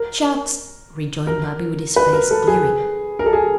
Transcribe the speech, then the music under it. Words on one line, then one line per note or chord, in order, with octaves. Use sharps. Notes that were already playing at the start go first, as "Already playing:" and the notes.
"Shucks!" rejoined Bobby, his face clearing.
Already playing: A#4
A#4
B4
A#4
A4
G#4
A#4
A4
G#4